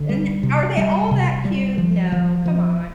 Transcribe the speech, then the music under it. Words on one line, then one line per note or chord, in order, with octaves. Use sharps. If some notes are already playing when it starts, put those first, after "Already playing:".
And are they all that cute? No, come on.
Already playing: D3
G3
C3
G3
C3
G3
F3
F3
F3